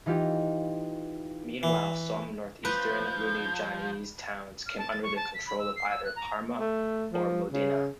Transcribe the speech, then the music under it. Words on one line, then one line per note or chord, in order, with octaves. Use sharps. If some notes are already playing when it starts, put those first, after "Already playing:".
Meanwhile, some northeastern Lunigianese towns came under the control of either Parma or Modena.
E3 D#4 F4 G4
E3
F3 B4 G6
F6
A5
A6
C#6
A5
B6
B5
E6
C7
E6
F#6
A#5
A3
F3
C#3